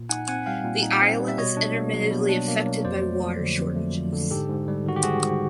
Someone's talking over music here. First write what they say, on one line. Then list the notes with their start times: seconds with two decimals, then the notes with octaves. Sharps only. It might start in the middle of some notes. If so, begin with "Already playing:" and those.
The island is intermittently affected by water shortages.
Already playing: A#2
0.09 D#4 F#5 G#5
0.28 C4 F#5 G#5
0.46 G3 F5 G5
0.65 A#2
0.83 D#4
1.01 C4
1.19 G3
1.28 E5
1.38 B2 C#5 D#5
1.57 D4
1.75 A#3
1.94 F#3
2.11 B2
2.29 D4
2.48 A#3
2.66 F#3
2.85 F2 C5 D5
3.02 A3
3.21 F3
3.40 D3
3.58 F2
3.75 A3
3.95 F3
4.12 D3
4.31 G#2 G4 A4
4.49 G#2
4.68 G3
4.86 D#3 F#4
4.96 G4
5.03 G#2 F#4 G#4
5.22 G#2